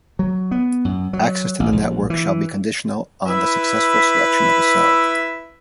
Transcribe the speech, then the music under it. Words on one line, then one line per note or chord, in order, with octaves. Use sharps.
Access to the network shall be conditional on the successful selection of a cell.
F#3
B3
F#2
F#3
A1
A#1
E3
E4 B4 E5